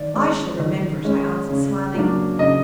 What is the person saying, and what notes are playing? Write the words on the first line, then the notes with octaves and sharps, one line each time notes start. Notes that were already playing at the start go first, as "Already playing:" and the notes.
'I shall remember it,' I answered, smiling.
Already playing: D#3 D5
G#3 C#4
D#3
G#3 C#4
C#3
F#3 A#3 D4
C#3 D#5